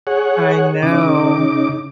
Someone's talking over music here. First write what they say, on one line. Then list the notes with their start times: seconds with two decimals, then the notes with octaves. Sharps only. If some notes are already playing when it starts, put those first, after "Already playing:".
I know.
0.07 G#4 C#5 F#5
0.83 C#3 D#4 D6